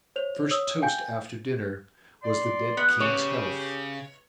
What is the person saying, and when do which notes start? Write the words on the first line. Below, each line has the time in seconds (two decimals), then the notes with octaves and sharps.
The first toast after dinner was the dead king's health.
0.16 C5 C#5 F7
0.51 C#5 D#6 E6
0.82 F5 G5 G#5 G6
2.23 D5 C6
2.77 B3
3.00 C#3 G4 C#5